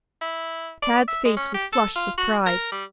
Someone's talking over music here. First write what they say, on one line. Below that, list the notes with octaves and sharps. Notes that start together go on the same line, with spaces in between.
Tad's face was flushed with pride.
E4
D5
E5
G#3
C#4
G4
A4
F4
F#4
A#4
G3